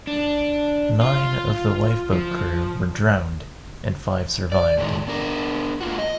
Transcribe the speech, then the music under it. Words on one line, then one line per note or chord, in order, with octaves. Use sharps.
Nine of the lifeboat crew were drowned and five survived.
D4
F4
F3
D5
A2 D#3 G#3 D#4
B3 D4 A#4
A#3 F4 F#4
D#5